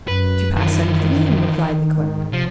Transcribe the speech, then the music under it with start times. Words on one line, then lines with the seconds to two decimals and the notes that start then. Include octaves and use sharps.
"To pass under the beam," replied the clerk.
0.08 F#2 B4
0.56 D#3 E3 F4
0.89 D#3
1.96 G#2
2.33 C3 F3